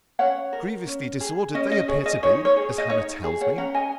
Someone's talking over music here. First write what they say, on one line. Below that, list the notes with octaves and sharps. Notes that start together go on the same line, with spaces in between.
Grievously disordered they appear to be, as Hannah tells me.
C#4 C#5 F#5
A#4
C#4
G#4
C#4 D#5
D#5
G#4 C#5
D#5
D#4 C#5
C#5
G#4
D#5
D#4 C#5
G#4
C#5 F#5
C#4 F#5 A#5
D#5 G#5